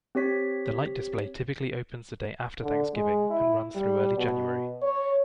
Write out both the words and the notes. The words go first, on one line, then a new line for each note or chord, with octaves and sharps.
The light display typically opens the day after Thanksgiving and runs through early January.
C4 G4 C#5 B6
D3
G#3
E4
G3
B2
C#5